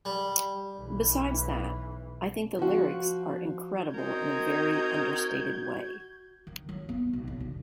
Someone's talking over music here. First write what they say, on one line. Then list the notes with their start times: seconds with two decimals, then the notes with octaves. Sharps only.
Besides that, I think the lyrics are incredible in a very understated way.
0.05 G3
0.79 B1 E3
2.59 F3 F#4
3.95 C4 D#4 F#4 A#4 G6 G#6
6.47 D#3
6.69 F#3
6.89 B3
7.13 B1
7.28 B2
7.40 D3